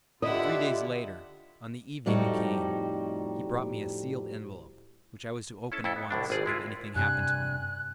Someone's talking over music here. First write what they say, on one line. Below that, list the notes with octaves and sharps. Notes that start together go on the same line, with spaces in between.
Three days later, on the evening you came, he brought me a sealed envelope, which I was to open at once, if anything happened to him.
D3 E4 F4 G4 D#5 F#5
F2 A2 G3 D#4 F#4 G4
C#4 E4 A4 A5
F2 E4 A4
B3
C2 A2 D4
G#1 G#4 D5
G#3 E4 F4
G2 C3 G#5 F#6